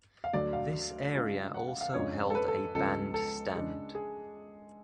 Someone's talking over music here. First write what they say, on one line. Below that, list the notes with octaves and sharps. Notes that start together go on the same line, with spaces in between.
This area also held a band stand.
F5
D2 D3 F#3 D5
F5
C#3 G#3 D4 F4
F#5
F5
F5
F2 C#3 G#3 D4 F4 C#5
A4
B4
A4
C#2 C#3 F3 G#3 B3 A4
A4
C#3 G#3 D4
G#4